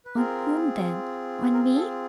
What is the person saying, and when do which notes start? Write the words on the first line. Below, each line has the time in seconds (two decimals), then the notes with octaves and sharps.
"On whom, then!--on me?"
0.05 B4
0.16 C4 F4 G#4 A#4
1.53 A#4
1.76 A4